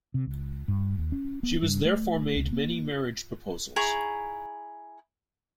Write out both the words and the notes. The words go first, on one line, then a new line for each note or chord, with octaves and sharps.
She was therefore made many marriage proposals.
C3
C#2
G2
D#2
C#4
B3
G2
A3
C#2
A#3
E4 G#4 A#5 C#6